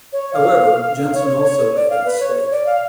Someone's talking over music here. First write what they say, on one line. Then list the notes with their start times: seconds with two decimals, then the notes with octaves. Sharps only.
However, Jensen also made a mistake.
0.13 C#5
0.33 F5
1.14 C#5
1.30 C#5
1.44 C#5
1.60 C#5
1.75 D5
1.90 F5
2.06 B4
2.20 C#5
2.36 C#5
2.51 D5
2.66 F5